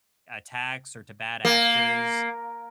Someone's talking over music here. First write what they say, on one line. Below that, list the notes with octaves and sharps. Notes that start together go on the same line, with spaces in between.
attacks or to bad actors.
A#3